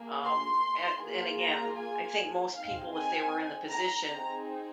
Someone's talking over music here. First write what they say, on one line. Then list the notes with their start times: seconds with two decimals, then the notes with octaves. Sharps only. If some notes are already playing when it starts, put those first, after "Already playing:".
um, an and again, I think most people, if they were in the position
Already playing: A#3 G#4
0.23 C6
1.00 A#3 F4 G#4
1.39 A#5
1.77 G#5
2.54 C4 D#4 G#4 F5
2.93 G#5
3.70 A#5
4.09 C4 D#4 G#4